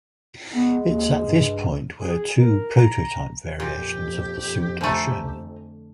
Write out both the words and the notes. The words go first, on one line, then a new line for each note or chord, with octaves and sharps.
Its at this point where two prototype variations of the suit are shown.
G#3 B3
D#2
G2
G#4
A#4
A#5
F2 A#2 G4
D3 A3 C5 G#5 A#5